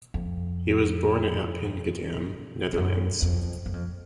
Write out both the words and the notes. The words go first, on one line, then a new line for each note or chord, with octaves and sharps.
He was born in Appingedam, Netherlands.
F2
F2
F#2
F2
F#2
F2